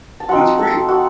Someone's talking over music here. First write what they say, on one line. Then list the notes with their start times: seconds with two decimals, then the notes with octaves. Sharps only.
That's great!
0.20 A5
0.28 F3 C4 D#4 F#4 F#5
0.58 A4 A5
0.88 F#4 F#5